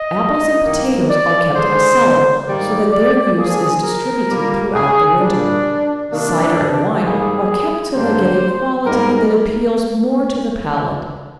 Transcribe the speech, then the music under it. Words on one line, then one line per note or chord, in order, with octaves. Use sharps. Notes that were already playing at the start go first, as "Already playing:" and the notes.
Apples and potatoes are kept in a cellar so that their use is distributed throughout the winter; cider and wine are kept till they get a quality that appeals more to the palate.
Already playing: D#5
G2 D#3 A#3
D5
D3 G#3 C5
G#2 D#3 G3 A#3 D5
D5
D3 F3 A#3 G#4
A#4
A#2 G3 A#3
G#4
A#2 G3 A#3 D4
C3 D#3 A#3 D4
G#2 G3 A#3 G#4
G2 D3 G3 A#3 C5
G#2 G3 A#3 A#4